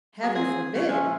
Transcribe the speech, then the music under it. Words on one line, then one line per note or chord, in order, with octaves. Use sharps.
Heaven forbid!
F#3 G#4
C4 G#4
C#3 G3 C#4
F3 G#3 C#4 E5
A#2